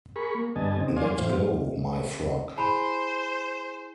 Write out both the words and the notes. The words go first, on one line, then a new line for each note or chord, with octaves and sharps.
Let go my frock!
G#4 A#4 B5 C#6
A#3
G2 D3 B3 D#5 G#5 A5
C#3 C4 D#4
C#4 D5 F5 G#5 C6
F2 A2 E3 C5 F5
E4 G#4 C5 G#5 A5 B5